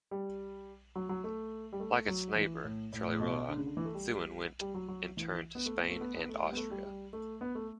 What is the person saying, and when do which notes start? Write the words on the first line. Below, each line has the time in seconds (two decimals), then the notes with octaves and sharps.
Like its neighbour Charleroi, Thuin went in turn to Spain and Austria.
0.11 G3
0.95 F#3
1.09 F#3
1.24 A3
1.73 G3
1.80 A3
2.08 F#3
2.36 E3
2.64 A2
2.92 A2
3.08 A2
3.20 B2
3.48 D3
3.57 C#3
3.66 D3
3.77 E3
3.85 A3
3.94 G3
4.61 G3
4.74 F#3
4.88 F#3
5.17 E3
5.55 B3
5.66 A3
5.77 B3
5.90 A3
6.00 B3
6.15 B3
6.29 A3
6.43 G3
6.52 B3
6.57 A3
6.71 G3
6.85 G3
7.13 A3
7.41 B3
7.55 A3